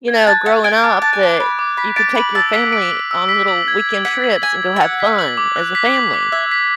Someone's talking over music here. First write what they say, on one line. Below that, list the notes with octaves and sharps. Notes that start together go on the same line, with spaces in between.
you know, growing up that you could take your family on little weekend trips and go have fun as a family.
G#6
A5 F#6
F#5 A6
G#5 D7
A5 D6
A5 F#6
G#5
A5 A6
B5 D7
D6
B5 B6
A5 D7
B5 F#7
A5 E6
F#5 B6
D7
F#7
E6
B6
F#7
G#6
G#6
F#5 B6
F#7
G#5 G#6
G#6
E5
F#5 F#6
B6
F#7
D6
F#6
B6
F#7
D6
E5 G#6
B6